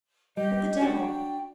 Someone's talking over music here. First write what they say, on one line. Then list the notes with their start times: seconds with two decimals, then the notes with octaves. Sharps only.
What the devil!
0.37 G3 G4 D#5
0.81 D4 F#4 G5